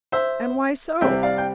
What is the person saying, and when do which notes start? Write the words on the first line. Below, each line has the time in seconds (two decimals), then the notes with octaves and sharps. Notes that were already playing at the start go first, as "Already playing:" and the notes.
"And why so?"
0.12 C5 E5
1.01 C2 C3 G3 C4 E5 G5
1.23 D5 F5
1.38 G5